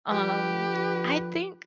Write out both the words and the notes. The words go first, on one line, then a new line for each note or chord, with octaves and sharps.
um, I think
D3 F3 G4 B4